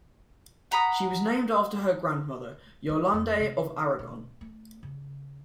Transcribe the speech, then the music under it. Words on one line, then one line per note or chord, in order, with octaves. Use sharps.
She was named after her grandmother, Yolande of Aragon.
F#5 A#5 B5 D#6
G#3
F2
C3
B2
A3
C#3